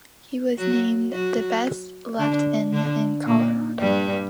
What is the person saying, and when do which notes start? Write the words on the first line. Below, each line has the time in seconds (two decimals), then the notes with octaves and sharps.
He was named the Best Left End in Colorado.
0.58 F#3 F#4
1.11 F#3 F#4
2.19 D3 D4
2.72 D3 D4
3.26 A#2 A#3
3.79 G2 G3